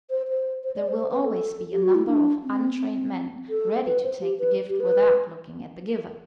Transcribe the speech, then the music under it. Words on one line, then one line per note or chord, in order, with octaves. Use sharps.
There will always be a number of untrained men ready to take the gift without looking at the giver.
C5
C5
C5
D5
C5
C5
B4
A4
G4
F#4
E4
D4
C4
C4
A4
B4
C5
G4
B4
G4
B4